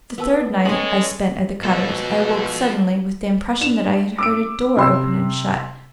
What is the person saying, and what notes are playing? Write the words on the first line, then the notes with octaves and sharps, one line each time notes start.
The third night I spent at the Cutters', I awoke suddenly with the impression that I had heard a door open and shut.
B3 A#4 A5 E6
G#3 C#4 A4 C#5 G#5 A#5 B5 D#6
B2 F3 F#4 A4
D4 E7 F7
D6 E6 D7
C3 C6 E6